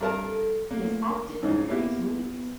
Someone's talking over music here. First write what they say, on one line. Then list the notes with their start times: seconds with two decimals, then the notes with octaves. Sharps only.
He has acted in various movies.
0.01 G2 A4 A#4 A5
0.71 A3 A#3
1.10 A#4
1.42 C#2 G#2 D#4
1.69 A#3 B3 E4 G4